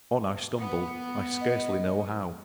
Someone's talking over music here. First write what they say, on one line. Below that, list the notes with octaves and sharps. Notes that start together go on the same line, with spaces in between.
On I stumbled, I scarcely know how.
B3
D#5